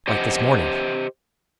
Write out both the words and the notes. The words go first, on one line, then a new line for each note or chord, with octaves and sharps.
"Like this morning."
G4 C5 D#5 F#5